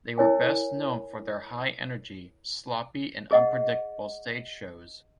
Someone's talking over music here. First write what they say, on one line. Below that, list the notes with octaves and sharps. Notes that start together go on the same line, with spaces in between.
They were best known for their high energy, sloppy and unpredictable stage shows.
E4 A#4 C#5 G#5
G#4 D#5 F#5